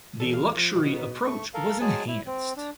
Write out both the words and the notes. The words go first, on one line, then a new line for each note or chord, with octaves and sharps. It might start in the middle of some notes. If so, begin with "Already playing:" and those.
The luxury approach was enhanced.
E2 G#2 A4
F5
F3
B2
B3 D#4
A3 C#6
A4 A#4 F5
F#3 G#3 G#4 G#5 A5
E4
C4
D4